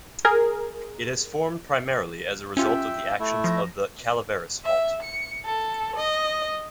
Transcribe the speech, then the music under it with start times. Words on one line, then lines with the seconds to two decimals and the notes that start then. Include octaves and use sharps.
It has formed primarily as a result of the actions of the Calaveras Fault.
0.25 G#4 A#4
2.57 C#4 F4 G4 E5 G5
3.20 A3 E4
3.44 F3 A#6
4.64 E5
5.03 C#7
5.45 A4
5.96 D#5